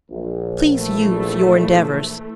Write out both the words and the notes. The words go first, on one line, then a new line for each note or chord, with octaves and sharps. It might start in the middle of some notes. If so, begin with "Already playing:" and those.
Please use your endeavors.
A#1
E3 A3